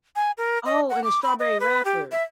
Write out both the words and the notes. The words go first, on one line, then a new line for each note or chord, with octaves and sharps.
Oh, in a strawberry wrapper.
G#5
A#4
D#5
F#5
D6
B5
D#5
B4
G4
E5